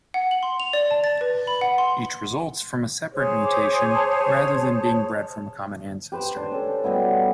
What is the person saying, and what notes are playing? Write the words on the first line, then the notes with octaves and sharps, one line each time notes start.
Each results from a separate mutation rather than being bred from a common ancestor.
F#5
F#7
C6
F7
D5
A5
A6
B4
B5
F#5
C6
G#4 C5 C#5
D6
A5
G4 B4 C5 D6
D4 C5
C#4 A4
B2 G3 B3 E4